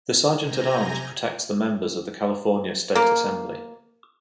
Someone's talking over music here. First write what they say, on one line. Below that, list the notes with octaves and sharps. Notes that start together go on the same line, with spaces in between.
The Sergeant-at-Arms protects the members of the California State Assembly.
C3 G#5 A#5 G6 A#6
A#3